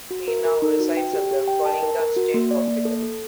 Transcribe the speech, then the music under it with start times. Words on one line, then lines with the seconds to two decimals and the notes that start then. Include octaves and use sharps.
He now resides at the Coalinga State Hospital.
0.11 F#4
0.28 A#4
0.45 A#4
0.62 D#4
0.80 F#4
0.97 G5
1.13 G4
1.31 G4
1.48 G5
1.66 A5
1.83 A#4
2.00 A#4
2.17 F#4
2.34 A#3
2.51 D5
2.68 A#3
2.85 A4
3.03 A4